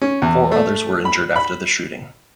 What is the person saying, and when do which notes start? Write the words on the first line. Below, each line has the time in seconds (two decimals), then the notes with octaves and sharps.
Four others were injured after the shooting.
0.02 C#4
0.22 E2
0.52 A3
1.05 B5
1.36 B5